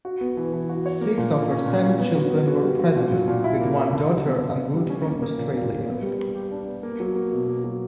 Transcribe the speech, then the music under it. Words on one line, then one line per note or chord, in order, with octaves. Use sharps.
Six of her seven children were present, with one daughter en route from Australia.
F#4
B3
E3
E3
F#4
C#5
A#3
A#2
A#3
C#4
A#2
C#4
B3
F#4
B3
F#4
G3
F#4
A#2
F#3
A#2
E4
A#3
E4
D3
G3
B3
D3
B3
G3
C#4
A#3
A#3
A#2
A#2
A#3
B3
G3
G3
G4
D4
B3
A#3
F#3
A#3
B2
A#3
F#3